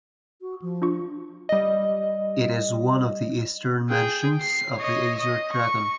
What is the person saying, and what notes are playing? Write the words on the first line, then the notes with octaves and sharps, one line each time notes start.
It is one of the eastern mansions of the Azure Dragon.
F#4
F3
D4 F4 C#6
G3 D#5
G#4 G5
C7
C#5 D#5
D#5
C#6